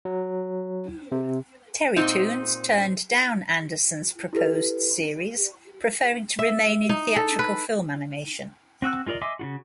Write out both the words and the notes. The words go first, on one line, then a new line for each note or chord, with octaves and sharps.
Terrytoons turned down Anderson's proposed series, preferring to remain in theatrical film animation.
F#3
C3
A#2 C4 D#4
E4 G4 A4 B4
E5
D#4
A4
B4
C4 F#4 E6 F#6
G#3 F4 A#4 D5 D#5
D#5 E5 G#5 C6 D6
C#3 F4 F#4